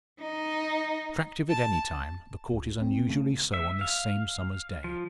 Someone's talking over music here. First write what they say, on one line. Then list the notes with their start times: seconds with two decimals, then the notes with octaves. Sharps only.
Attractive at any time, the Court is unusually so on this same summer's day.
0.22 D#4
1.49 A5
2.53 C#2
2.80 D1 C4
3.08 D2 C#3 A3
3.54 E5
3.81 F5
4.84 F3